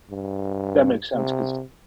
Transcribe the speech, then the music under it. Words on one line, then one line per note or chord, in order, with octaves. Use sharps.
That makes sense 'cause
G2
C3